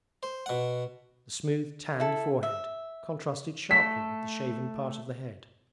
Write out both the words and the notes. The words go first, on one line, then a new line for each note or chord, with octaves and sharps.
The smooth tanned forehead contrasted sharply with the shaven part of the head.
C5
B2 F#5
E4 A4
E5
A3 A4 B6